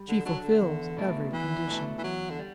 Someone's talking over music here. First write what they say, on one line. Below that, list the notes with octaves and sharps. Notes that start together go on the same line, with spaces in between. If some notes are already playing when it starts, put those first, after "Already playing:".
"She fulfils every condition."
Already playing: G3
D3
F#3 D4 A4
D3
E2
B2 A3 D4
E2 E3
B2 A3 D4
E3
E2 F#3
D3
G3